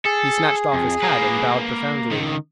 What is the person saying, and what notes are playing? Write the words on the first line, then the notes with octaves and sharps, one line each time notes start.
He snatched off his hat and bowed profoundly.
G#4 A4
F2
A#3 B4
C#2 D#3